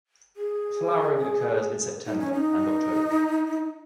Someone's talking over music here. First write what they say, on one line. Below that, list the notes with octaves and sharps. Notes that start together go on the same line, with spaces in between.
Flowering occurs in September and October.
G#4
D#4
C#4
D#4